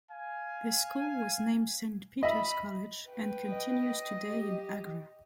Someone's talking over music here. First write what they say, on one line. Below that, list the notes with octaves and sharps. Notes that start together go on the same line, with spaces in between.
This school was named Saint Peter's College and continues today in Agra.
F5 G#5
D#5 E5 B5
B4 G5
D#5
G4